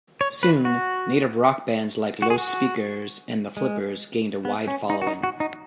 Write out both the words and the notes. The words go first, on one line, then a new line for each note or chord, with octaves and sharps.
Soon, native rock bands like Los Speakers and The Flippers gained a wide following.
C#5
B4
F#4
F#4
G#4
F#4
G#3
B3
C#4
D#4
F#4
D#4
F#4
D#4